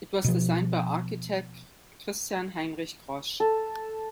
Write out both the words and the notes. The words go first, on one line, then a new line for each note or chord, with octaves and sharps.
It was designed by architect Christian Heinrich Grosch.
B2 F3
A4